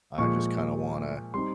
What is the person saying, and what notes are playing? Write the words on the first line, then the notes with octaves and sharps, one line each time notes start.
I just kinda want a
A#2 F3 G#3 C#6
G3 C4 D#4 C6